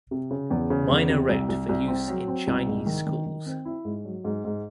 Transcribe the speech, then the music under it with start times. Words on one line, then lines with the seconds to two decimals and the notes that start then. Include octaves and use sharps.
Miner wrote for use in Chinese schools.
0.11 C3
0.31 C#3
0.51 E2
0.70 C#3
0.90 E2
1.09 C3
1.29 C2
1.49 C2
1.69 C2
1.88 C4
2.08 F#3
2.28 C4
2.47 C2
2.67 G#2
2.87 D#3
3.07 D#3
3.26 D#3
3.46 C4
3.65 E4
3.85 G#2
4.05 F#3
4.25 G#2
4.45 G#2